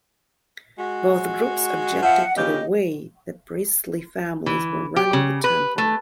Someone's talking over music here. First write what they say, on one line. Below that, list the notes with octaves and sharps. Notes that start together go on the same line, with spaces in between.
Both groups objected to the way the priestly families were running the Temple.
G#3 F#4
F3 E5 F#5
A#2 C#3 G4 D#5
E3
G4
C#3
B4
A3